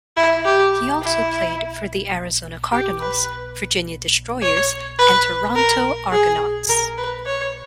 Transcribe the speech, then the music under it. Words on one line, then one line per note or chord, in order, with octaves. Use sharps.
He also played for the Arizona Cardinals, Virginia Destroyers and Toronto Argonauts.
E4
G4
E4
G4
B4
C#5
B4
A#4
G#4
A#4
B4
C#5